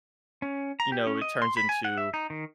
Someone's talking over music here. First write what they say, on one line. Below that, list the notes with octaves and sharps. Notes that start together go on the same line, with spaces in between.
you know, it turns into,
C#4
A#5
G4
C#4
D#5
C6
B5
G#5
F#5
E5
D#4
D#3